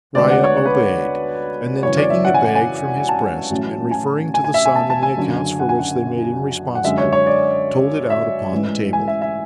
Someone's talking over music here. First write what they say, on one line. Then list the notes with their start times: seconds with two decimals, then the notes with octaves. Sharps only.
Riah obeyed, and then taking a bag from his breast, and referring to the sum in the accounts for which they made him responsible, told it out upon the table.
0.15 D2 D3 G#3 B3 D5
0.30 F#5
0.44 C#5
0.57 C#5
0.65 B4
0.74 C#5
1.83 G#1 F#2 C#3 E3 C#5
1.97 D5
2.10 E5
2.25 F#5
2.34 G#5
2.45 F#5
2.55 G#5
3.09 A5
3.49 A1 A2 F#3 C#4
3.91 G#5
4.34 G#5
4.44 G#5
4.54 E5
4.66 G#5
4.76 A5
4.90 A5
5.03 G#5
5.17 F#1 F#2 D3
5.60 F#5
5.69 G#5
5.79 F#5
6.75 F#5
6.84 F#2 D3 G#3 E5
6.98 C#5
7.13 C#5
7.26 D5
8.10 E5
8.52 A1 G#2 E3 G#3
8.93 G#5
9.08 E5
9.22 E5